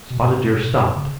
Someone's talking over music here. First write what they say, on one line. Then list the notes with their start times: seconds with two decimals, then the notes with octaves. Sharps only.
Spotted Deer stopped.
0.10 B2
0.18 A#2
0.25 G#2
0.34 A#2
0.53 B2
0.63 A#2
0.74 A#2
0.85 G#2
0.96 C#3